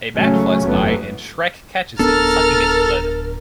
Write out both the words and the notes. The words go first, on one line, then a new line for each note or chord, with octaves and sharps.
A bat flies by and Schreck catches it, sucking its blood.
G#1 C#3 F#3 A3 C#4
G1 F2 E3 F#3 A3 B3
D1 B3 D4 A4 A#4 A#5 F6 A6